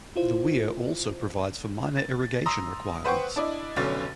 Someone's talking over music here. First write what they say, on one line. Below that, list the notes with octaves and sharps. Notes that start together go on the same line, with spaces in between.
The weir also provides for minor irrigation requirements.
E4 F4 C5
A6
A#5 C6 D#6 E6
B4 C5 F#5 G5 C#6
D4 E4 D5 D#5
F1 B1 D3 C#4 C#5 A6